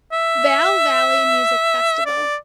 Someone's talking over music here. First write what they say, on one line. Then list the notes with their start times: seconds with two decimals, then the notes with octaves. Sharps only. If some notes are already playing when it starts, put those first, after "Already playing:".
Vail Valley Music Festival.
0.12 E5
2.06 D5